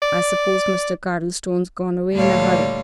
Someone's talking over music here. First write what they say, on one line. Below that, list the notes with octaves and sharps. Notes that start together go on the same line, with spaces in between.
I suppose Mr. Cardlestone's gone away in a hurry.
D5
D2 A#2 D3 G3 C#5 F5